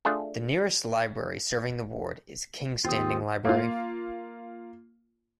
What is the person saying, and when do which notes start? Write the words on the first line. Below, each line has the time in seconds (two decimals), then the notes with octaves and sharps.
The nearest library serving the ward is Kingstanding Library.
0.05 A3 D4 F4 G#4 A4
2.85 D#2 C4 F4 D#6
3.45 A#3 F4